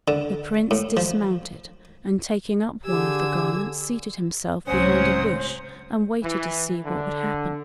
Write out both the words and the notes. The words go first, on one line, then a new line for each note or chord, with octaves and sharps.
The Prince dismounted, and taking up one of the garments, seated himself behind a bush and waited to see what would happen.
D3
A2
F3
D3 G4 G#4 E6 G#6
C#2 A2 C3 F#3 C#4 C5 F#5 D#6
E3
D3